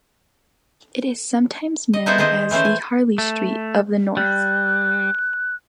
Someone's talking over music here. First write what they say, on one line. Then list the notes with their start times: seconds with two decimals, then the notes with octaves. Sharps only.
It is sometimes known as the "Harley Street of the North".
1.93 D#5
2.06 B3 D#4 E4 G#4 A4 C5
2.18 D#3 G#4 C5 D#5
2.51 E3 A3 C#4 C5
2.65 G#5
3.18 A3
4.17 G3 F#6